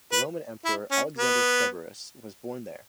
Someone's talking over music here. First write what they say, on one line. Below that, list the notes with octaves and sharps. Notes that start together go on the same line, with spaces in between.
The Roman Emperor Alexander Severus was born there.
B4
E4
C#4
B3